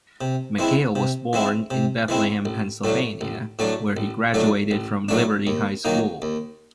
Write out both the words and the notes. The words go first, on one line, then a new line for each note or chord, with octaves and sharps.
McHale was born in Bethlehem, Pennsylvania, where he graduated from Liberty High School.
C3
E3 G#3 C4 E4
C3
E3 G#3 C4 E4
C3
E3 G#3 C4 E4
A1
A2 F#3 A3 D4
A1
A2 F#3 A3 D4
A1
A2 F#3 A3 D4
A1
A2 F#3 A3 D4
D#2
D#3 F#3 A#3 D#4
D#2